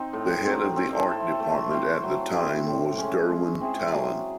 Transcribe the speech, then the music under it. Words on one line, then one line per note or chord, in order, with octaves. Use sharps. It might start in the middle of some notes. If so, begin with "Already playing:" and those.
The head of the art department at the time was Durwin Talon.
Already playing: C4 D#4
A2
F#3 C4
C4
E4 A4
A3
C4 E4 C5
F#3
C4 E4
A2
G#3 C#4
G#3
C4 E4 G#4
F#3